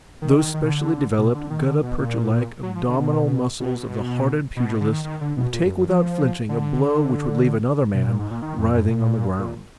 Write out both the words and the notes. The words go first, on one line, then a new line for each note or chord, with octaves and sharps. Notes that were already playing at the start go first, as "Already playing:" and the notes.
Those specially developed, gutta-percha-like abdominal muscles of the hardened pugilist will take without flinching a blow which would leave another man writhing on the ground.
D#3
D#3
D#3
B2
D3
B2
D3
D#3
D3
B2
A#2
F#3
F3
D3
B2
B2
B2
B2
D3
D#3
D#3
D3
B2
A#2
F#2
F#2
F3
D3
B2
A#2
G#2
A#2
D#3
F2
F#2
A#2
A#2